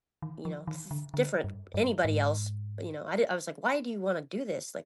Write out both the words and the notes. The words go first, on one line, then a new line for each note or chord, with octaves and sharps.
you know, s different, anybody else. But, you know, I di I was like, "Why do you wanna do this?" Like
D#3
F3
D#3
D3
D3
G2
G2
G#2